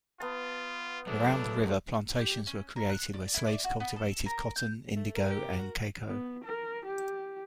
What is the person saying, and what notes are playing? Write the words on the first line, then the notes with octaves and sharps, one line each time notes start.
Around the river, plantations were created where slaves cultivated cotton, indigo and cacao.
B3 F4 A5
F#3 A3 D4
G4
C#4
A#4
F#6
D5
E4
D5
F#4
B3
A4
A#4
G6
A3
A#4
G4
F#4
B3
A#4
G4